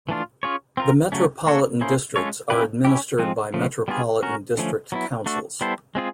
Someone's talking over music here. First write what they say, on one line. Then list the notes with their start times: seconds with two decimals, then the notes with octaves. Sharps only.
The metropolitan districts are administered by metropolitan district councils.
0.09 E3 A3 D4 F4
0.43 C#4 F4 G#4 C#5
0.77 C4 F4 A#4
1.12 C#3 F#3 A3 C#4
1.47 A#3 D4 F#4 A4 C#5
1.81 A#3 C#4 E4 G#4 C5
2.16 G#3 C#4 F4 A4 C#5
2.50 A#3 C#4 E4 G4 B4
2.85 C#4 E4 G4
3.19 F3 G#3 C4
3.54 C#3 F3 A3
3.88 G3 B3 D4 F4 G#4
4.23 C#4 F#4 A#4
4.57 D3 F3 A3 C#4
4.92 F#3 B3 E4
5.26 A3 D4 F#4 A4
5.61 G3 B3 E4 A4 C5
5.95 G#3 C4 F4 G#4